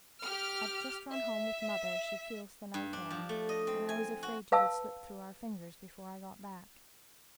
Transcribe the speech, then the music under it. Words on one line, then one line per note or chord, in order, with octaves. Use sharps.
I've just run home with mother--she feels the night air--and I was afraid you would slip through our fingers before I got back.
G4 F6
E5
G2
D4
F3
A3
D#5
C4
G#5
F#4
B4 F5 A5 E6